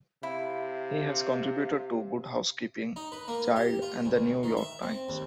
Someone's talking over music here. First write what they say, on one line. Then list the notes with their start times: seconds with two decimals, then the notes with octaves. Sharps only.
He has contributed to "Good Housekeeping", "Child", and "The New York Times".
0.23 C3 E4 F5
2.96 D#4
3.12 B4
3.28 A#3
3.56 G4
3.82 F4
4.05 D2
4.43 D#3
4.57 E5
4.83 C4
5.09 D#2